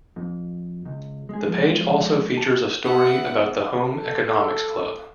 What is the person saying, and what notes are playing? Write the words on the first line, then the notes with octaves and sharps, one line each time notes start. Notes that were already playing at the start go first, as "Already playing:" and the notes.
The page also featured a story about the Home Economics Club.
F2
C#2
G#3 G#4
E2 F3 G#3 A4
G4 A5
B3 E5 F#5
A4